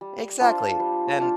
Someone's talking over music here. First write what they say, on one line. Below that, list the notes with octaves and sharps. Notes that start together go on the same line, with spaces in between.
Exactly, and
G3
D4 F4 C5
G3
D4 F4